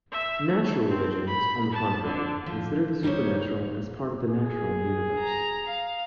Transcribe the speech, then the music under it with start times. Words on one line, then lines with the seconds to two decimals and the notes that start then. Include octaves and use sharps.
Natural religions, on the contrary, consider the supernatural as part of the natural universe.
0.12 E5
0.48 A3
0.88 C4
1.27 B5
1.72 A5
2.04 D3
2.46 F3
3.03 G3 D#4 A4 C5 C#5
4.29 G#4
5.19 A#5
5.66 F5